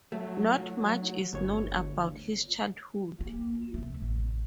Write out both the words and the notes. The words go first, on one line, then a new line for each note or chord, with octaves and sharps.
Not much is known about his childhood.
F#3 A3
G1 D2 C#5
A#3
C2 A3
A1